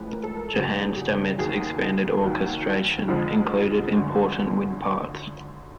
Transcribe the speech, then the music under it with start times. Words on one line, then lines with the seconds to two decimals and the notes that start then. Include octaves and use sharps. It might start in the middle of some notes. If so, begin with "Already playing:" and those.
Johann Stamitz's expanded orchestration included important wind parts.
Already playing: A1 A2 F3 G#3 B4
0.11 A#4
0.23 A4
0.37 A#4
0.53 F#1 E2 C#3 F#3 G#4
0.96 G4
1.38 D#2 D#3 F#3 G#4
2.24 D#2 D#3 F#3
3.08 F2 D3 F3 G#3
3.93 G#1 F#2 D3